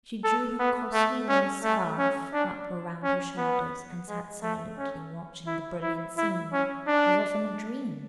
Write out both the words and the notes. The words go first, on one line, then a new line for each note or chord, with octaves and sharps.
She drew her costly lace scarf up around her shoulders, and sat silently watching the brilliant scene, as if in a dream.
A4
B3
A3
C#4
A3
C#4
D4
C#4
B3
G#3
A3
C#4
E4
E4
E4
C#4
D4